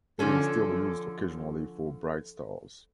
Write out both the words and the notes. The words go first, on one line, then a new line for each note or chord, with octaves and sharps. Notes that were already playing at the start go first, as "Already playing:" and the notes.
It is still used occasionally for bright stars.
D3 F3 C#4 A4